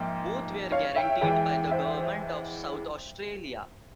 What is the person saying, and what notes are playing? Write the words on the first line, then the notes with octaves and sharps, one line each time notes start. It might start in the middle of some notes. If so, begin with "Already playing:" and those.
Both were guaranteed by the Government of South Australia.
Already playing: G#2 F3 A#3 E5 G5
C#5 F5
E5 G5
E2 E3 G#3 E5 G5
C5 E5